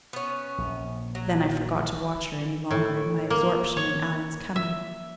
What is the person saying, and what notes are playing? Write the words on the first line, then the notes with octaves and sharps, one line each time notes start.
Then I forgot to watch her any longer in my absorption in Allan's coming.
B3 C#4
A#1
F#3
A2
A#3
C#5
E5